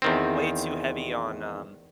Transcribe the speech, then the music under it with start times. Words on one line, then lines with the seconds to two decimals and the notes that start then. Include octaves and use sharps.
way too heavy on, um,
0.02 E2 D#3 C4